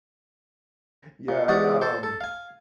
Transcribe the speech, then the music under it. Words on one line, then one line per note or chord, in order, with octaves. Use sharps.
yeah, um
A#2
E2 G#2 F#4 G4 D5 D#6
A4 C5
A4
F5 G#5